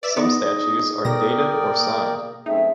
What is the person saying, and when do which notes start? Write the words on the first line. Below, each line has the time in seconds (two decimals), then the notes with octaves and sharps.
Some statues are dated or signed.
0.03 B4 D5 E5
0.16 B3 D#4 G#4 D5 D#5
1.05 B2 A4 A#4 D5 G5 A#6
1.78 A#3
2.46 F#2 A3 C4 D#4 G#4 E5